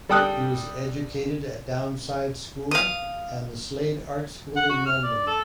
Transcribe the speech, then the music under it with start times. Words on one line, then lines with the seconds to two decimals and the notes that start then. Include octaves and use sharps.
He was educated at Downside School, and the Slade Art School in London.
0.09 G3 A4 G5 D#6 F#6
2.71 F5 D#6
4.57 F#5
4.69 F#4
4.86 F6
5.04 D5
5.27 A4